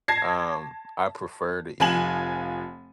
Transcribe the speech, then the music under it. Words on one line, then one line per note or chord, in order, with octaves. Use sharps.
Um, I prefer to eat
A5 G#6 A#6 C7
F1 F3 G#5 E7 F#7